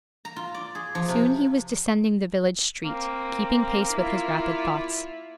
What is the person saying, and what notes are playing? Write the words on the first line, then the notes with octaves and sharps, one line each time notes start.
Soon he was descending the village street, keeping pace with his rapid thoughts.
A#5
F4
D5
G#4
F3
C3
A#3 C4
E4 F4